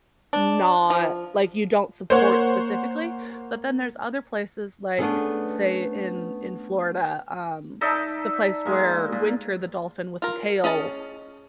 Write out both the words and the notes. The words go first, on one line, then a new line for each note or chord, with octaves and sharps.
not like you don't support specifically, but then there's other places, like, say in in Florida, um, the place where Winter the dolphin with the tail
D4
F3
A#3 C5 C#5 F#5
A3 B3 C#4 D4 G#4 A4
D#4 A4 D5 E5
G#3 A#3
A#2
F4 A#4
C#4 G#4 D#5 A5